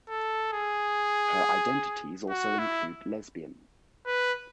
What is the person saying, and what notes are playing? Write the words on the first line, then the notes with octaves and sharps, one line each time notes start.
Her identities also include lesbian.
A4
G#4
F#4
E4
B4